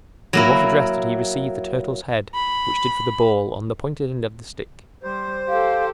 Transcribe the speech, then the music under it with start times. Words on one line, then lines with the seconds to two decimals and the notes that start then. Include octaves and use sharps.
With what address did he receive the turtle's head, which did for the ball, on the pointed end of the stick!
0.33 F#3 A#3 E4
2.35 B5
5.03 G3 C5
5.49 G4 A4 F5